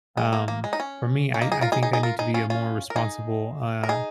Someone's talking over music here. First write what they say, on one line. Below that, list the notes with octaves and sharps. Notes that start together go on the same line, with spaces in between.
um, for me, I I think I need to be a more responsible, uh,
G#3
A#3
A#3
G#3
D#4
C#4
C#4
A#3 D#4
D#4 G#4
F4 A#4
D#4 G#4
D#4 G#4
D#4 G#4
F4 A#4
D#4 G#4
C#4 F4
C#4 F4
A#4
D#4 G#4
A#4
D#4 G#4